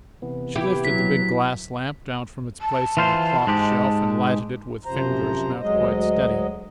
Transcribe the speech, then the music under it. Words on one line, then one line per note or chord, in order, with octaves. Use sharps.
She lifted the big glass lamp down from its place on the clock shelf and lighted it with fingers not quite steady.
C3 E3 B3
E4 G4
F#3 B6
A5
E3 F4 C5
G#2 G#3 G4
F#2 C3 F3 C5 A#5
D2 F#3 G#3 D#5